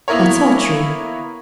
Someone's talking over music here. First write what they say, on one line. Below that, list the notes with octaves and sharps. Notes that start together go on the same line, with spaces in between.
That's all true.
A#3 B3 E4 A#4 C#5